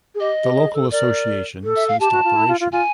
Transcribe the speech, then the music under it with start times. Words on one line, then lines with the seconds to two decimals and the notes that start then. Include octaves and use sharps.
The local association ceased operation.
0.15 G#4
0.20 G4 D#5
0.44 G4
0.56 G#4
0.74 A4
0.92 A#4 D5
1.64 A4
1.76 E5
1.88 F5
2.00 G4 A5
2.12 F#4
2.24 F4
2.36 E4
2.48 F4
2.60 F4
2.72 F4 G#5